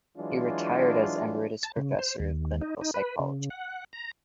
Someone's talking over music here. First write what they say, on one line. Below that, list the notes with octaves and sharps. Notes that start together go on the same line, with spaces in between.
He retired as Emeritus Professor of Clinical Psychology.
E3 F#3 G#3 D4 F4
A5
C#3
C5
D#2
D#4
D#4
B4
C#3
F#5
A#5